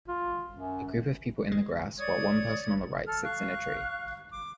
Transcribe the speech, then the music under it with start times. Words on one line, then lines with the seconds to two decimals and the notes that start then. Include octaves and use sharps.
A group of people in the grass while one person on the right sits in a tree.
0.08 F4
0.53 F#2
1.52 G#3
1.99 C#5 D5 D#6 G#6
3.06 A4 F6
3.23 F5 C#6 F#6
4.30 D6